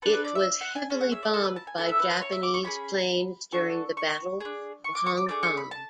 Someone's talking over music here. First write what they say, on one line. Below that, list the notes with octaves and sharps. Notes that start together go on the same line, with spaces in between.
It was heavily bombed by Japanese planes during the Battle of Hong Kong.
D4 A4 B4
B4
D5
E5
F#5
G#5
C#4 G#4 A5
F#5
E5
D5
A4
B4
A5
G#5
B3 E4 A4 A5
E5
B4
B4
C#5
E5
D6
C#6
C#4 G#4 B5
D4 F#4 A4 C#6
C#6
D4 G#4
C#6
D6
C#6
D6
A3 D4 G#4 D6
C#6
B5
A5